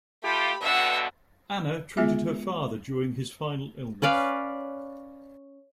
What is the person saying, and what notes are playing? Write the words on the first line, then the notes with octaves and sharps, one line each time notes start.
Anna treated her father during his final illness.
A3 F4 G4 B5
G2 B2 D3 E5 F#5
G#3 B3 F4 G#4 E5
C#4 B4 D5 F5